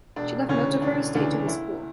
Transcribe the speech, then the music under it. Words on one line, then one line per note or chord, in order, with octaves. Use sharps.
She left most of her estate to the school.
E1 D4
D2 C#3 E3 C#4
E1 D4
D2 C#3 E3 D4
G1 E4